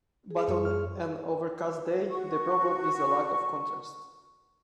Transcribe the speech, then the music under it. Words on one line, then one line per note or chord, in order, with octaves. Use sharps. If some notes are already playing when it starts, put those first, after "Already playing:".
But on an overcast day the problem is a lack of contrast.
G#4
F#2 G3 C#6
F6
F#4 C#6